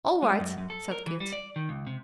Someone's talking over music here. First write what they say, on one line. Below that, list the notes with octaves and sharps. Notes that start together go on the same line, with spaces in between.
"All right," said Kit.
G#3
F#2
F#2
A4
A#4
E3
G3
D5
D#3
C#2
C3